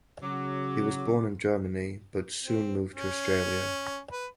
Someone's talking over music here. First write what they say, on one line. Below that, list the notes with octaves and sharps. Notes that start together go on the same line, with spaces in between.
He was born in Germany but soon moved to Australia.
C#3 F#3 D6
C4
C#4
B4